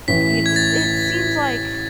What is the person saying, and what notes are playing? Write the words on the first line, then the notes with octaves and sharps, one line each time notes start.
y kn s it seems like,
A1 A2 E3 B6
G#6
A6